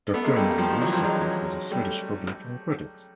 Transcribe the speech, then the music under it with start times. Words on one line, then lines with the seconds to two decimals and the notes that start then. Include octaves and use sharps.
The film was a huge success with the Swedish public and critics.
0.14 A3 B3
0.24 G#3 A#3
0.36 G3 A3
0.58 F3 G3
0.70 D#3 F3
0.82 E3 F#3
0.93 F3 G3
1.04 F#3 G#3
1.71 G3 A3